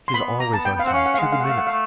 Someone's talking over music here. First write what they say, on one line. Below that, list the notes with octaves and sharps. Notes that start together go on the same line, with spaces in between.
She's always on time, to the minute.
C6
B3 B5
A#3 A#5
A5
B3
G5
B3 F5
C4
F#5
C#4 F5
F#5
F5
G#3 F#5
F5
A3 F#5
F5
F#5
A3 F5